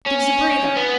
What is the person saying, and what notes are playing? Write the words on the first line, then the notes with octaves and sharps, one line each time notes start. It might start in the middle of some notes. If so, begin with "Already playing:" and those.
Give's a breather.
C#4
B3